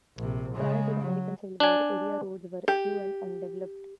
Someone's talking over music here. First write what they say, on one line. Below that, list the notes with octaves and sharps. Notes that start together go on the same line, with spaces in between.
Prior to the American Civil War, area roads were few and undeveloped.
A#1 C3
C#3 G#3
F#3
D4 G#5
G4